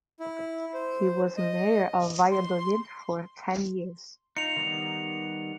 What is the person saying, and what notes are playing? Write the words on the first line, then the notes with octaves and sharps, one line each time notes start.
He was mayor of Valladolid for ten years.
E4
C5
D#5
C6
D#4 F4 C#7 F7
D#3 G3 B3